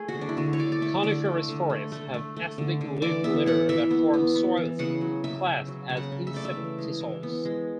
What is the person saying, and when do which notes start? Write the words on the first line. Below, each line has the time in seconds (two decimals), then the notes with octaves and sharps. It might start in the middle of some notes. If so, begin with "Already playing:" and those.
Coniferous forests have acidic leaf litter that form soils classed as inceptisols.
Already playing: A3 G#4
0.08 F#4
0.15 D3
0.21 D4
0.29 E4
0.37 D3 F#4
0.53 C#5
0.59 D3 D5
0.72 D5
0.81 A3 E5
1.03 D3 D5
1.25 A3
1.48 D3
1.70 A3
1.92 A3
2.14 A3
2.37 A3
2.58 D3
2.81 D3
3.02 E3 D5
3.24 B3 E5
3.46 E3 F#5
3.69 E3 E5
3.91 B3
4.14 B3
4.36 B3
4.57 E3
4.79 C#3 F#5
5.01 F#3
5.24 C#3 E5
5.45 C#3
5.68 F#3
5.89 C#3
5.97 F#5
6.12 C#3
6.27 E5
6.34 A3 D5
6.45 E5
6.56 E3
6.78 G#3
7.01 E3
7.23 B3
7.45 G#3